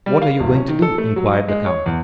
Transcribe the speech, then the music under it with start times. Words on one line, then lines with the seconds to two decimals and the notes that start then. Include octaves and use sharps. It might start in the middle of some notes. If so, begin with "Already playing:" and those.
"What are you going to do?" inquired the count.
0.06 G3
0.22 F5
0.40 D1
0.55 C#4
0.68 D#3
0.82 A4
0.98 A3
1.16 F#3
1.33 D#5
1.48 G#3
1.66 C#5
1.86 E2